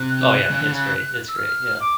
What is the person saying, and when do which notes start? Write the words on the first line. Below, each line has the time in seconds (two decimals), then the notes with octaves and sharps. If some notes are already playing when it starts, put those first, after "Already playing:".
Oh, yeah, it's great, it's great, yeah.
Already playing: C3 F#6
0.51 C#3
0.62 D3
0.72 C#3
1.28 E6
1.37 F6
1.81 D6